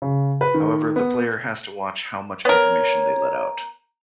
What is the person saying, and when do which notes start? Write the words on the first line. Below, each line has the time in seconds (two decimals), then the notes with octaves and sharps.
However, the player has to watch how much information they let out.
0.02 C#3
0.41 B4
0.54 D#3
0.96 B3
2.45 B3 A#4 C#5